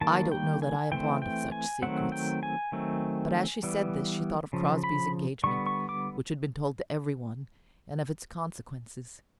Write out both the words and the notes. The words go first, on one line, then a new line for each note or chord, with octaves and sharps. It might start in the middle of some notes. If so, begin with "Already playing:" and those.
"I don't know that I am fond of such secrets." But as she said this, she thought of Crosbie's engagement, which had been told to every one, and of its consequences.
D#3 G3 A#3 A5
G5
G#5
E3 A3 C4 G5
G5
G#5
D#3 F#3 A3 C4 F#5
G5
G#5
D#3 F#3 A3 C4
E3 G3 B3
C#3 F3
B5
D3 G3 B3 C#6
C#6
D6